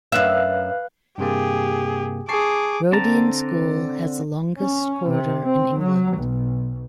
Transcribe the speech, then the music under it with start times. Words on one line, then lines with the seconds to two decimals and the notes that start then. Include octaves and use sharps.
Roedean school has the longest corridor in England.
0.12 F#2 B4 E5 F5 F#6
1.18 G2 C3 A#3 G4 G#4
2.29 G#4 A5 C#6 D6 C7
2.92 D3 C4 A5 A#5
4.59 C#4
5.10 C3
5.44 C4
5.80 F#3
6.17 B1